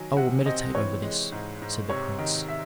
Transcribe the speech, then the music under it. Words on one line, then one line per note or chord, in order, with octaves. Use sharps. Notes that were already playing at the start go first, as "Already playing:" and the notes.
"I will meditate over this," said the prince.
Already playing: D#3 F#3 G#5
C3 F#5
C4 D#5
E3 C#5
G#3
G#2
G#2
C3 C#5
D#3
E5